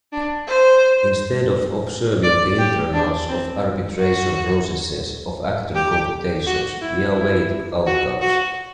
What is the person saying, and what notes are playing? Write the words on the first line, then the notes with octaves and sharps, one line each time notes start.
Instead of observing the internals of arbitration processes of Actor computations, we await outcomes.
D4
C5
D5
G4
D4
C4
F#4
G4
F#4
E4
E4
F#4
F#4